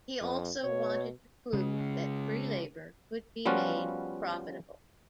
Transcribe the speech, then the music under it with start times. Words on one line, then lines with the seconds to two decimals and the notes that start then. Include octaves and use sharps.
He also wanted to prove that free labour could be made profitable.
0.21 F2
0.63 B2 C#5
1.53 C#3 G#3
3.46 F3 G3 B3 C#4 F4 F#4